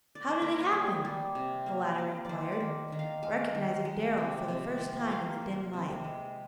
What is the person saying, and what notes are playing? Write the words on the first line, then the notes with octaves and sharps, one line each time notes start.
"How did it happen?" the latter inquired, recognizing Darrell for the first time in the dim light.
D5
C5
A#3 A#4
G3
G3
C3
A#3
A#3
D#3 C5 D5
D5
D#3
D#3
F5
G#3 F5
D#3
G#3
C3
C3
F3
A#3 F5
C3
C3
G#3